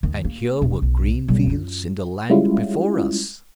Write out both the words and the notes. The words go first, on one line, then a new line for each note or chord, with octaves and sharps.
And here were green fields in the land before us.
D#2 D#3
A#3
E1
B1
B1 G3
F#2 F4
G3 G#3 C#4 E4 F4